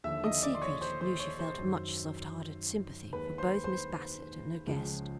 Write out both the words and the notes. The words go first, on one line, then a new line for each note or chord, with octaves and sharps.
In secret Lucia felt much soft-hearted sympathy for both Miss Bassett and her guest.
D#2 D3 F3 E5 E6
D#5 D#6
D5 D6
C6
C#5 C#6
C5 C6
C5 C6
C#5 C#6
C5 C6
F#2 D#3 F#3
D#2 D#3 G#3 B4 B5
C5 C6
C5 C6
C#2 C#3 F3 G#3